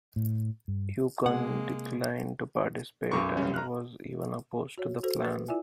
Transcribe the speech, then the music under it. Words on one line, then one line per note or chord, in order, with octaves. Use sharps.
Ukon declined to participate and was even opposed to the plan.
A2
G2
C3 G#3 A#3 F#5
B1 F#2 C#6 D6
G3 C#4
A#5 F6 F#6
F#4 C#5
F#4 A4 C5
B4 A6
E4 F4 D5 E5 G#5